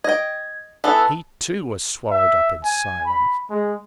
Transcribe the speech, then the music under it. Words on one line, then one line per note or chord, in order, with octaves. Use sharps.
He, too, was swallowed up in silence.
D#5 G5 G#6
E3 B3 A4 A5
E5
G#5
B5
G#3